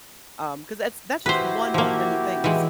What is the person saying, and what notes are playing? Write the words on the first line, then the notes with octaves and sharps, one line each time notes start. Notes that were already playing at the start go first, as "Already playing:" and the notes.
um 'cause that's that's just one of many things.
E4 F#4 G4 B4 C5
F3 A#3
E3 G#3